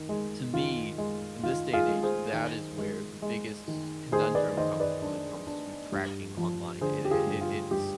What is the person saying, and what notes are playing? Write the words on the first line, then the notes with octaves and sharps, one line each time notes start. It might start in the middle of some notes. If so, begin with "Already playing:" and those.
To me, in this day and age, that is where the biggest conundrum comes when it comes to tracking online. It it it it's
Already playing: D#3
G#3
D#3 F4
G#3
D#3 F4
F4 G#4
G#3
G#4 C5
D#3
G#3
G#3
D#3
D#3 G#4 C5
B4 D5
D#3 C5 D#5
B4 D5
D4
D4
G2
F3
D3 G#4 C5
G4
F4 G#4
G2
F4
G2 G4